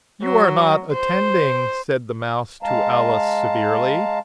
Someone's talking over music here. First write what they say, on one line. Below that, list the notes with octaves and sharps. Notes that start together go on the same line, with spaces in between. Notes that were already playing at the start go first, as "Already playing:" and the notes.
'You are not attending!' said the Mouse to Alice severely.
F#3
C5
G#3 F5 A5 A#5